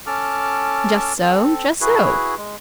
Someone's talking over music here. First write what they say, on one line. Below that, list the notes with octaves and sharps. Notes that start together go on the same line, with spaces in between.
'Just so, just so.
C#4 A4 A5 D6 F6
C4 A4
E4 F#4 G#4 B4
G#3